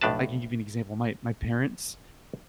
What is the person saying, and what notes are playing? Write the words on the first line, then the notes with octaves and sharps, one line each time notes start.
I can give you an example, my my parents,
B1 F2 A2 D4 B4 A5